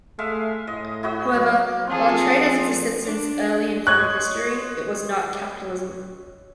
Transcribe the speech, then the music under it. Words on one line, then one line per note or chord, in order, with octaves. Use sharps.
However, while trade has existed since early in human history, it was not capitalism.
G#3 A3 E5 F5
A2 D#5
E4 F#4 D#5
F#3
F3 C4 F4 G#4 A4
D4
C#5 D#5 C6 F#6 G#6